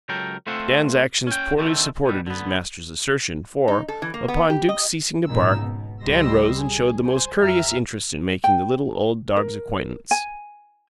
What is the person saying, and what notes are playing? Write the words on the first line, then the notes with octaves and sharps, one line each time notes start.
Dan's actions poorly supported his master's assertion, for, upon Duke's ceasing to bark, Dan rose and showed the most courteous interest in making the little, old dog's acquaintance.
C#2 F#3 A4 A#4 G5
A3 C4 F4 A4 C5 F#5
C#4 G5
D3 D#3 A3 C4
B2 G3
D3 B3
D#4
A4
E3
A#3
B3
G4
D#5
G#1 A#2 C#3 D#4 E6
B2
C#2 G3 D#5 C6 E6 A#6
G#4
C5 G#5
F2 G4 E5 A#5 F6
G5
A#4
G#5